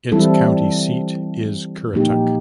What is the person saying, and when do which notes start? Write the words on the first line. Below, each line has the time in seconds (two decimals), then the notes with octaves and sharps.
Its county seat is Currituck.
0.12 E3 G3 C4 E4 A4
1.94 A#2 F3 A#3 D#4 G4